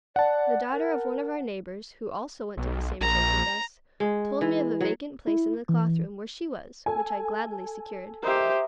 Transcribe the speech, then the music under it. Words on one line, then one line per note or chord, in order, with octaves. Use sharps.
The daughter of one of our neighbors, who also went to the same church with us, told me of a vacant place in the cloth-room, where she was, which I gladly secured.
D5 F#5 A5
A#4
B1
A#1 A#5
G#3
E3
F#3
E4
E3
A4 G#5
G4 A#4 C5 D#5 E5